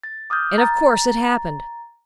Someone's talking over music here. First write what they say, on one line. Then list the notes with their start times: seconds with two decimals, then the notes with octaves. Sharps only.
And of course it happened!
0.03 A6
0.30 D6 D#6 F6 G6
0.58 A#5 A6